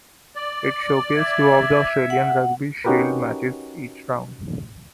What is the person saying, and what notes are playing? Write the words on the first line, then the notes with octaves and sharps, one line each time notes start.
It showcased two of the Australian Rugby Shield matches each round.
D5
E5 G#6
F#5
C#4 D#4 F#4 G4 A#4 B4